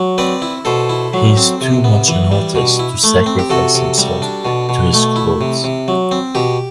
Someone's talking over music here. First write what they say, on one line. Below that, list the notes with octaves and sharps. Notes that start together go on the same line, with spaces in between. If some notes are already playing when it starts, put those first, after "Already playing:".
He is too much an artist to sacrifice himself to his clothes.
Already playing: F#3
C4 B4 D5
E4
B2 A4 C5
E4
F#3
C4
C3
B3
E3
G3
B2
E4
A3
C4
G4
C3 F#4 A4
C3
G3
D4
B2
B2
A3
E4
C3
C3
F#3
C4
B2 G4